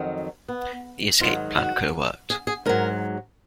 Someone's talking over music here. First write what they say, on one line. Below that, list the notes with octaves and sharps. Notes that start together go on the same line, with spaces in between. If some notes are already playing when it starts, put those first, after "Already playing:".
The escape plan could have worked.
Already playing: F2 D#3 F#3
B3
G#2 D#3 F#3 F4
F#4
G#4
G#4
G#2 F#3 A#4